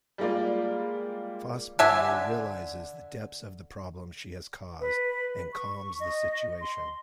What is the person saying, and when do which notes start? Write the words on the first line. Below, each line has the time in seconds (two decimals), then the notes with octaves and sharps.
Fassbender realizes the depths of the problem she has caused and calms the situation.
0.18 G3 G#3 A#3 F4 A#4 D5
1.79 D3 E5 G#5
4.81 B4
5.53 C#6
6.00 D#5
6.61 C6